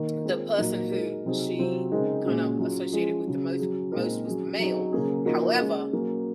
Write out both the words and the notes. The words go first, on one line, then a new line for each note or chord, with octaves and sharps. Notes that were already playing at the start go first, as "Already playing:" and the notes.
the person who she kind of associated with the most with the most was the male. However,
Already playing: D#3 A#3 D#4 A#4
G#3 C4 F4 A#4
A#2 F#3 A#3 D#4
G#3 D#4 F#4 A#4
C3 F#3 C4 D#4 G#4
C3 F#3 C4 F4
C#3 G#3 C4 D#4 A#4
A#2 G#3 C#4 F#4
F#3 C#4 F4 G#4
F3 G#3 C#4 G#4
C#3 F#3 C#4
F#3 C#4 G#4
A#2 G#3 C4 D#4 A#4
F#3 C#4 G#4
F#3 C4 D#4 G#4
C#3 F#3 A#3 C#4 G#4
F3 A#3 D#4 F#4
G#3 C#4 G#4
F#3 A#3 C#4 G#4